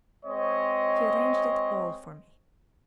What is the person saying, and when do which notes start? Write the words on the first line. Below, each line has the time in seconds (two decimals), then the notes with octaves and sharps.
She arranged it all for me.
0.24 G#3 C4 C#5 D#5